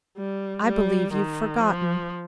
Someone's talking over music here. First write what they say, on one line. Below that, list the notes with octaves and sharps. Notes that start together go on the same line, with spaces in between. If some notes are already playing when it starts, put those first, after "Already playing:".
"I believe you've forgotten."
G3
G3
D#3
F3